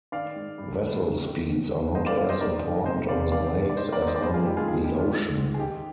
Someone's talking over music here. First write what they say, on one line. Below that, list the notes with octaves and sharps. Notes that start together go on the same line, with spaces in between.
Vessel speeds are not as important on the Lakes as on the ocean.
D#3 D5 F5
G#2
G2
D3
G#2
D#3
G#2
D#3
G2 C5 D#5
D5 F5
G2 D5 F5
C5 D#5
D#3 A#4 D5
D#3
C3 C5 D#5
C3 D5 F5
G#2 D5 F5
D#3
D5
G#2 C5 D#5
A#4 D5
D#3
C5 D#5
D5
G2 C5 D#5
F4 G#4
D#3 D#4 G4
F4 G#4
D3 F4 G#4
D#4 G4
D3
D4 F4
G#2
G#2
G#4
D#3 D#4 G4